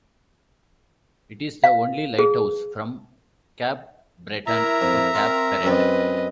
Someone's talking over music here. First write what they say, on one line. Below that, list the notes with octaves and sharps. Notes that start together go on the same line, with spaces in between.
It is the only lighthouse from Capbreton to Cap Ferret.
F5
G#4
E4 A#4 E5 A#5
F2
C4 F4 A#4
F#2 C4 B4 D#5